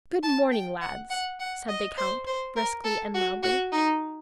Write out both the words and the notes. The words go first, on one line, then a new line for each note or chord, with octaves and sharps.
"Good morning, lads!" said the count briskly and loudly.
A5
G5
F#5
F#5
F#5
D#5
C5
C5
A#4
A4
F#4
F#4
D#4